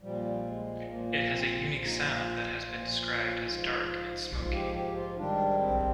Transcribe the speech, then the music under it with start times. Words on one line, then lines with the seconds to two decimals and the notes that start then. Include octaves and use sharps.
It has a unique sound that has been described as "dark and smokey".
0.01 A#2 F3 G3
0.45 G#3
0.87 A#2 F3 A#3
1.30 C4
1.73 A#2 F3 F4
1.84 D#4
1.96 F4
2.16 F4
2.58 A#2 F3
3.44 G#2 F3
4.31 G#2 F3 F4
4.52 G4
4.74 G4
4.96 F4
5.16 G#2 D#3 G3 D4
5.59 C4